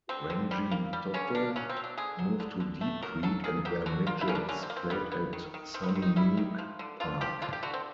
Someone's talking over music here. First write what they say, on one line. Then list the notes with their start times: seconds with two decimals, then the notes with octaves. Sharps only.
Rangitoto moved to Deep Creek and their midgets played at Sunnynook Park.
0.09 D3 C4
0.30 D3
0.51 G3
0.72 A#3
0.93 G3
1.14 D3 C#4
1.35 A#3 D4
1.56 F#3 C#4
1.69 C4
1.77 F#3
1.84 D4
1.98 D3 G#4
2.19 F#3
2.40 D3
2.60 D3
2.81 A3
3.02 F#3 A#4
3.23 F#3 A4
3.44 A#3 G#4
3.65 F#3 G4
3.86 D3 F#4
4.07 A#3 F4
4.21 E4
4.28 A#3 C#4
4.35 D4
4.49 D3 C#4
4.63 C4
4.70 A#3
4.77 C4
4.90 G3 B3
5.12 B3
5.33 D#3
5.54 D#3
5.74 D#3 C4
5.83 B3
5.89 C4
5.95 D#3
6.02 D#4
6.16 G3 E4
6.37 D#3
6.58 F3
6.79 D3
7.00 D3 F4
7.21 F3 G4
7.42 D3 F4
7.53 G4
7.63 D3 F#4
7.74 C4